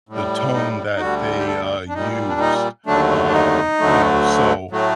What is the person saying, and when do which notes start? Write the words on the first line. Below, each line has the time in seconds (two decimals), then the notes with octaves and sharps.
The tone that they, uh, used, um, you know? So,
0.09 A2 G3
0.55 D#4
0.96 D#4
1.01 D2 D3 G3 F#4
1.38 G4
1.47 A4
1.89 D4
1.94 A#2 G3 D#4
2.29 D4
2.40 D#4
2.86 D#2 D3 F#3 A3 D4
3.27 D4
3.33 D#4
3.79 D2 D3 F#3 A3
4.71 A2 F#3 A3